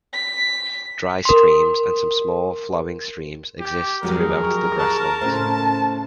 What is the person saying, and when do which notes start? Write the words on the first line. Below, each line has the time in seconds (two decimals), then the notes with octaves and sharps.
Dry streams and some small flowing streams exist throughout the Grasslands.
0.13 B6
1.25 A#4 C6
3.60 G4
4.03 F2 F#3 G#3 G4 G#4 A#4
4.43 C#6
4.80 A5 A#5 C#6 F#6
5.21 A2 C#3 C5